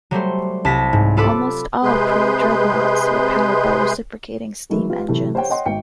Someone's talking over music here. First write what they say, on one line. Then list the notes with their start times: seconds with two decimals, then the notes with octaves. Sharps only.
Almost all pre-dreadnoughts were powered by reciprocating steam engines.
0.11 F#3 G3 A3 C5
0.65 C2 A5 A#6 B6
0.93 G#2
1.17 F4 A4 B4 B5 D6
1.83 C3 G#3 G#4 B4 C6 G6
4.70 D#3 E3 F#3 G#3 A#3 E4
4.90 F4 G4 B4
5.08 A2 C3 E3 F#3 A3 E4
5.34 G4 C5 C#5 F#5 G5
5.49 C#5 D#5 F#5 G5 C6
5.65 G#1 G5 C#7